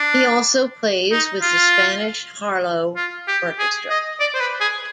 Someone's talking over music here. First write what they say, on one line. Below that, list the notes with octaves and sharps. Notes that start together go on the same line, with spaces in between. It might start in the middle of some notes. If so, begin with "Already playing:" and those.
He also plays with the Spanish Harlow Orchestra.
Already playing: D4
D#4
F4
F4
G4
G#4
D#5
D5
C5
B4
G#4